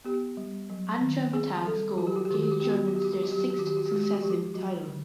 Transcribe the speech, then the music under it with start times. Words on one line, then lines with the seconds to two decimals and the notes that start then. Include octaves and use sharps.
Anja Mittag's goal gave the Germans their sixth successive title.
0.05 B3 G4
0.37 G3
0.70 F#3
1.01 D#3
1.33 C4 G#4
1.66 G3 A4
1.98 F#3 F#4
2.07 G4
2.16 F#4
2.25 G4
2.31 D#3 F#4
2.43 G4
2.51 F#4
2.60 B3 G4
2.70 F#4
2.78 G4
2.88 F#4
2.94 G3 G4
3.05 F#4
3.13 G4
3.23 F#3 F#4
3.32 G4
3.41 F#4
3.50 G4
3.58 D#3 F#4
3.67 G4
3.77 F#4
3.86 G4
3.91 G#3 F#4
4.03 G4
4.13 F#4
4.21 F3 G4
4.30 F#4
4.54 F#3 F#4
4.87 D3